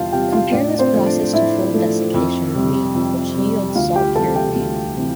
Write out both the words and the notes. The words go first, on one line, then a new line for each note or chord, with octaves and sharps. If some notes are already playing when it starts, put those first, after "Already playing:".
Compare this process to full desiccation of meat, which yields salt-cured meat.
Already playing: E2 C3 G3 F4 G4 F5 G5 A5
C3 G3 G4 G5
F4 F5
A2 D4 D5
D5
C4 C5
F3 A3
D4 D5
A2 E4 E5
F3 A3
F2
C3 G3
F2
C3 G3
D2 F4 F5
G4 G5
C3 E3 G3 A4 A5
G4 G5
D2
C3 E3